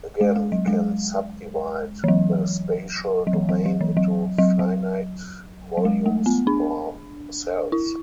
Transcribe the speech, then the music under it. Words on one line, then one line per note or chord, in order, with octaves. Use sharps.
Again we can sub-divide the spatial domain into finite volumes or cells.
G#3
G#3
F#3
G#3
E3
F#3
F#3
E3
F#3
F#3
E3
F#3
F#3
F#3
F#3
G#3
A3
B3
D4
E4